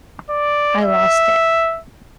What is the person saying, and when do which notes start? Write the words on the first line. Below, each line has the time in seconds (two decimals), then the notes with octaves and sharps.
I lost it.
0.30 D5
0.84 E5